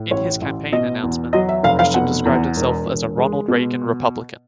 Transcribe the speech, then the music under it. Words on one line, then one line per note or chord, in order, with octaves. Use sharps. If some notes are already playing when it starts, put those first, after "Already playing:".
In his campaign announcement, Christian described himself as a "Ronald Reagan Republican".
Already playing: A2
A1 C#5
A1
B2 D#5
E2
F#3 D#5
E5
F1 F5
F5
B2 F#5
E2
E1
E1
G#3
B2